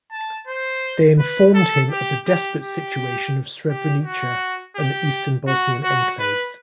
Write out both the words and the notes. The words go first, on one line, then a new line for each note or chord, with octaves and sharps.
They informed him of the desperate situation of Srebrenica and the eastern Bosnian enclaves.
A5
C5
B4
A4
G4
G4
G4
G4
F#4
G4
F#4
F#4
B4